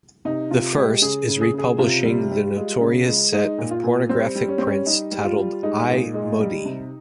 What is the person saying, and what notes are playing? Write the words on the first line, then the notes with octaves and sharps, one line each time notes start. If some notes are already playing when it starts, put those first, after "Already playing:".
The first is republishing the notorious set of pornographic prints titled "I Modi".
C3 D#4
C3 F4
G#3 G4
C#3 G#4
C#3
G#4
C#3 G#4
C3 F4
G3
G3
G#3
C#3
G#3
G#3 D#4
A#2
F4
A#2
G3 C4
G3
C#4
G3 C4
C#4
G3 D#4
G3
F4
G3
G#3 D#4
A#2
G#3
G3
C3